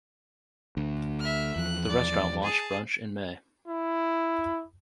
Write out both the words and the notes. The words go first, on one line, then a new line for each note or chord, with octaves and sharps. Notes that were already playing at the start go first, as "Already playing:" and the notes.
The restaurant launched brunch in May.
D2
E5 F6
E2 F3 F#6
D5
G#4 A5
E4